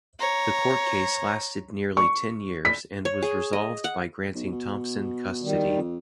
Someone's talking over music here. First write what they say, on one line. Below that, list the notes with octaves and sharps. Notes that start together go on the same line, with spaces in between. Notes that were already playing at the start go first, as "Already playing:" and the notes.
The court case lasted nearly ten years and was resolved by granting Thompson custody.
C#5 A#5
C#6
B6
C#5
G#4
D#5
F#5
B1
B2
D#3 G3
F2